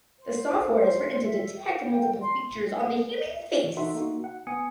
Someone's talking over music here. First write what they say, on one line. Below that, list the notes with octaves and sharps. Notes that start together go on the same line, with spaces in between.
The software is written to detect multiple features on the human face.
C5
C5
E5
G5
C6
E3
D#4 F#4 A4 E5 F#5 C6
A#3 D#4 F#4
F#5
B3 G#5 D#6 C#7